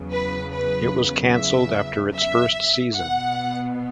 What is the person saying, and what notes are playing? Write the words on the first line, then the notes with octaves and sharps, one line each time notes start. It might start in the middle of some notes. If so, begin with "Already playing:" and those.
It was canceled after its first season.
Already playing: E2 C#3 F#3 B3
B4
B4
E5
E5
B2 B3 F#5